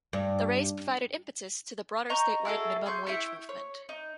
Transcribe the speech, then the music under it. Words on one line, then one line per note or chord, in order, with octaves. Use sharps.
The raise provided impetus to the broader statewide minimum wage movement.
G2
D#5 A#5 C#6 G6
E4 F#4 G#4 A4
G#4 C6 C#6 G6
E4 E5 G5 C#6
C#5
D#4